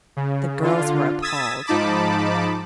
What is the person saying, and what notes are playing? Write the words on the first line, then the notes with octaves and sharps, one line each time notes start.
The girls were appalled.
C#3
D3 F4
D#6 E6 G#6 A6 B6 E7
G#2 F3 D#4 A5 B5 D6